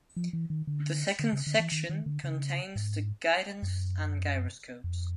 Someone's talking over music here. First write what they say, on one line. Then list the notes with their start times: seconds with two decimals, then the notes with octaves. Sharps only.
The second section contains the guidance and gyroscopes.
0.16 F3
0.33 E3
0.50 D#3
0.67 D3
1.19 D3
1.33 C#3
1.47 D3
1.59 E3
1.72 D#3
1.89 D#3
2.06 D3
2.24 C#3
2.76 G#2
3.62 F#2
4.84 F2